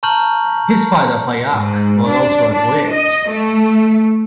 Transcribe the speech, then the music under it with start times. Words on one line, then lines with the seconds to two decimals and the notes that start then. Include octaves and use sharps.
His father, Fayaq, was also a poet.
0.03 A5 A#5 C#6 F6 G6 F#7
1.53 G#2
2.06 D4
2.52 D4
2.91 D#5
3.29 A3